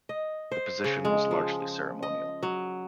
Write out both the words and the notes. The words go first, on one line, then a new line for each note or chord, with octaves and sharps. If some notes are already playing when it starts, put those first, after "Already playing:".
The position was largely ceremonial.
D#5
C5
C#3
G#3
F3
D#5
F#3